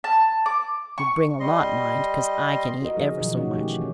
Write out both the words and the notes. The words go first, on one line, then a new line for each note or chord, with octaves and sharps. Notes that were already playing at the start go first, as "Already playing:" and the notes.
You bring a lot, mind, 'cause I can eat ever so much.
A5
D6
C#6
G3 D#5 C6
F#4 A#4 D#5
F3 G3 D#4 G#4
B2 D#3 F3 F#3
E3 C#4 F#4
A3 G4
E3 C#4